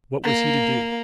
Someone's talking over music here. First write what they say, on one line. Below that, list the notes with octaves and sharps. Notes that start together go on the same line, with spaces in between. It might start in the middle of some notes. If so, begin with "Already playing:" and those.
What was he to do?
A#3